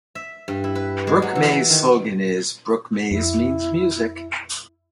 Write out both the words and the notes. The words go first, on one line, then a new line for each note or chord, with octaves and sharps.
Brook Mays' slogan is "Brook Mays means music".
E5
G2
E4
B4
G#3
F#3
E3
A#5
D#3
F2 E4